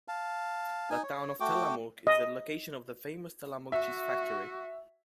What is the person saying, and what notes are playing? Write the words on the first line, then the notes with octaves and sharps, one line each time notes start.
The town of Tillamook is the location of the famous Tillamook Cheese Factory.
F5 A5
D#4 G#5
C#5
A3 F#4 G5 D6
D#5
F#4 E5